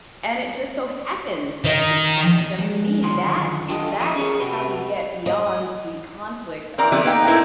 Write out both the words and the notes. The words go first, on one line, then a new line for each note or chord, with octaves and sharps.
and it just so happens that she's trans, and for me, that's that's how we get beyond the conflict of,
D#3 D#4
F3 G#3
F#2 D3 D#3 F3 C6
D4 F4 G4 A4 D#5
E2 F3 D#5 E5
C#4 G#4 A#4 C#5
C3 F#4 G4 B4
D#5
C4 A#4 D5 A#5
F3 A3 B3 G4 A4 D5
A#3 B3 D#4 G5
A2 A3 C4 D#4 E4 A#4